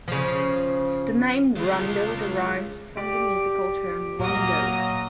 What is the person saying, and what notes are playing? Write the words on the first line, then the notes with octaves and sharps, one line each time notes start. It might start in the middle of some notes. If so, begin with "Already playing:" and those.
The name Rondo derives from the musical term Rondo.
C#3 F3
G#3 F4
G4 D5
A#2 F#3 A#3 D#5